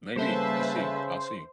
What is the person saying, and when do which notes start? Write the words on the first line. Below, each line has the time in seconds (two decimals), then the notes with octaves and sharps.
Maybe, let's see, I'll see,
0.16 C#3 G3 A#3 A4 B4 C5 E5 A5